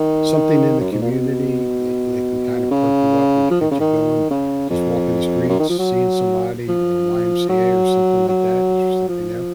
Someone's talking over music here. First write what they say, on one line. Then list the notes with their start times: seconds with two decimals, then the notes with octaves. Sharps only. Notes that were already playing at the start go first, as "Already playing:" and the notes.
something in the community that that can kinda perk you up and g get you going? Just walking the streets, seeing somebody, or YMCA, or something like that, is there something there?
Already playing: D#3
0.80 F#2
0.92 G#2
1.02 A#2
1.11 B2
2.70 C#3
3.50 F3
3.61 D#3
3.71 C#3
3.80 D#3
4.30 C#3
4.70 F2
5.49 F#2
5.59 D#3
5.69 F3
5.79 F#3
6.68 F3
7.49 F#3
8.28 F#3
9.08 F3